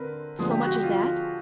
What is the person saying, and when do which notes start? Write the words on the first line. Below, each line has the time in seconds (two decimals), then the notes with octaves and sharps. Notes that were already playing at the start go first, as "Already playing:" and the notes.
"So much as that?"
Already playing: D3 C4 A#4 B4
0.39 D3 F3 G#3 B3 G#4
0.51 G4
0.62 F#4
0.72 G4
0.83 F4